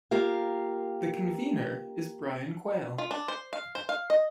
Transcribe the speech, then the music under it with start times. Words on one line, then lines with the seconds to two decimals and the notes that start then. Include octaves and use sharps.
The convenor is Brian Quail.
0.11 A#3 F4 G4 A#4 F5
2.98 F4
3.11 D4
3.28 C5
3.53 F5
3.75 C5
3.89 F5
4.10 D#5